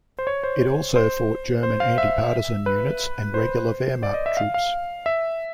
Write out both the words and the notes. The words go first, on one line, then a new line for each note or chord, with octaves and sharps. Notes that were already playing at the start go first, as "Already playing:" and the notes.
It also fought German anti-partisan units and regular Wehrmacht troops.
C5
C#5
C5
C5
C5
F5
E5
B4
C5
D5
D#5
E5
F5
F5
E5